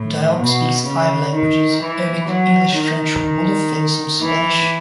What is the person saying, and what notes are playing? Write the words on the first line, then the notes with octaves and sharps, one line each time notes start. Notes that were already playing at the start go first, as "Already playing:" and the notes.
Diop speaks five languages: Arabic, English, French, Wolof and some Spanish.
Already playing: A2
B2
C#3
D#3
E3
F#3
D#3
E3